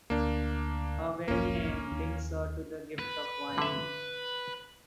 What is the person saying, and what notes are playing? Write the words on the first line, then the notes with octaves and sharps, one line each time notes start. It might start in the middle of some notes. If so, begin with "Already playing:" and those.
Her very name links her to the gift of wine.
D2 A#3 D4
E1 B1 G#2 A#3 C#4
D#2
B4
D3 E5